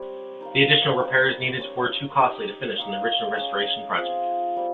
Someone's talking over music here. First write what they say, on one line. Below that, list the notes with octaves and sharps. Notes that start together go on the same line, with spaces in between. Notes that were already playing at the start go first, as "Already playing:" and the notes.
The additional repairs needed were too costly to finish in the original restoration project.
Already playing: G3 C4 G4 C#5
D#4 A#4 F5
G3 C4 G4 A#4
C#4 G4 C#5
D#4 G4 C#5
D#4 G4 C#5 F5
C#4 G#4 D#5
C4 F4 G#4 D#5
G3 C4